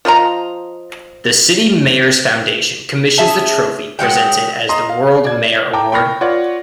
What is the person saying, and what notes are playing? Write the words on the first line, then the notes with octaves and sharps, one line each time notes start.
The City Mayors Foundation commissions the trophy presented as the World Mayor Award.
F3 F4 D#5 A#5
C#4 G#4 E5 A5
F#3 G#3 F#5 G5
D#5 A#5 C6 D#6
F5
D5 G#6
G5 A5 A#5 D6
G5 B5 C#6 F6 A#6
F4 B4 C#5 D5 F#5